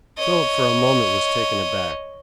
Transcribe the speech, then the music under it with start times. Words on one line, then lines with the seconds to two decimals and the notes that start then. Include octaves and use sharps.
Philip for a moment was taken aback.
0.18 C#5 D#5